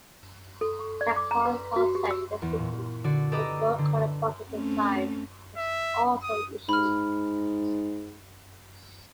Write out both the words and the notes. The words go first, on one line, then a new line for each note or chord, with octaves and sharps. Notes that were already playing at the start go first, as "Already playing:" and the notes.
A cloth lozenge depicting the gold colored button design was also issued.
A4
C#6
D5
D6
A#5
B4
F#4
G4
E6
E2
A#2
D3 F#4 D5
G4 A4 B4 D#5 A#5 D6
D3
A3 C4 C#4
E5
D#6
G#2 B5 F6